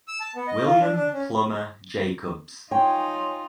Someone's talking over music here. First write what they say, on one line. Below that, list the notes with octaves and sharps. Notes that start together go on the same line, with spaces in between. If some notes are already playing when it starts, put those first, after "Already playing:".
William Plumer Jacobs.
E6
A5
B3
D#5
F4
D4
D4
C#4
D#4 F4 C#5 G5 G#5 C6